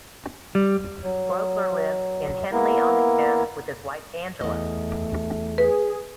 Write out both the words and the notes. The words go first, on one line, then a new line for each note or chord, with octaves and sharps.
Grobler lives in Henley-on-Thames with his wife Angela.
G3
F#3
A#3 B3 E4 A#4
E2 A3 D#5
G#4 B4